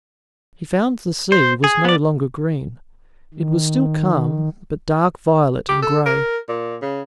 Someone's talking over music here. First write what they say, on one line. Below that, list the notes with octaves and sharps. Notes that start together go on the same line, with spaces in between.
He found the sea was no longer green; it was still calm, but dark violet and gray.
C5
G#4
B3 D5
D#3
G4
A4
A#4
A#2
C#3